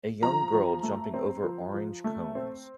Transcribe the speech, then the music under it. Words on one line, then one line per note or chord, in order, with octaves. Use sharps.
A young girl jumping over orange cones.
F3 A#5
F3
A3
C4
F3
F3
A3
C4